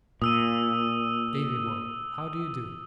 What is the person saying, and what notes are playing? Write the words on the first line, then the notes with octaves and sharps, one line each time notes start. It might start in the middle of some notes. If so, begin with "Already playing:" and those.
Davy boy, how do you do?'
A#2 D#6 E6 D#7